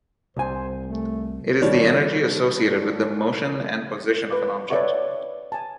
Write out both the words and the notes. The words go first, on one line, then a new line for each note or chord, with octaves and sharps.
It is the energy associated with the motion and position of an object.
C2 C5 G#5
A3
D#3 F3 G3 D4 C#5
B4 D6
B4 C#5 D5 E5 F#5 C#6
G#5 A5